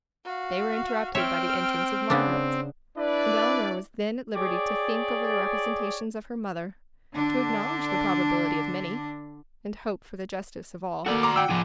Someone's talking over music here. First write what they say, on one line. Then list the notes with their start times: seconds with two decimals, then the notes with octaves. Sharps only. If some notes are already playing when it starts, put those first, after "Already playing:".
They were interrupted by the entrance of Margaret; and Elinor was then at liberty to think over the representations of her mother, to acknowledge the probability of many, and hope for the justice of all.
0.24 F#4 F5
1.15 C4 C#5 E5 G5 F6
2.10 C#3 B3 D4
2.98 D4 E4 B4 D5
4.35 G4 G#4 C#5 D5
7.14 D3 D4
11.06 A#3 F#4 A4 D5
11.23 A#5 C6 D6
11.36 F#5 G5 E6
11.50 F3 G#4